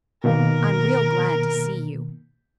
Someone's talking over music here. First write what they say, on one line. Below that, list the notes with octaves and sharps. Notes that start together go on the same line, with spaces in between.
I'm real glad to see you.
B2 D#3 A#3 A#4